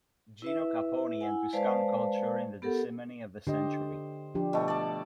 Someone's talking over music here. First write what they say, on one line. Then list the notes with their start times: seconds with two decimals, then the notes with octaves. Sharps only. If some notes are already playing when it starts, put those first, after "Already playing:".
Gino Capponi and Tuscan culture in the decimony of the century.
0.42 E4 B4 E5
1.21 E4 F#5 G#5
1.53 G#3 B4 C5 D5 F5 A5
2.62 B3 G4 A4 A#4 F#5
3.47 D3 G4 C5 D#5
4.35 F3 D4 G4
4.53 B2 A3
4.68 D5 A5